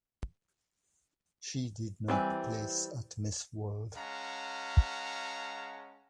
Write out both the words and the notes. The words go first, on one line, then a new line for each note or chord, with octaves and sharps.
She did not place at Miss World.
E3 G3 C4
G#3 C#4 F5 F#5 A5 A#5